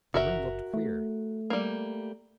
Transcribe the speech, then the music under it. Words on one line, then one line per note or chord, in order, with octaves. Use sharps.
The room looked queer.
F#1 F#4 A#4 E5
A3
G3 A#3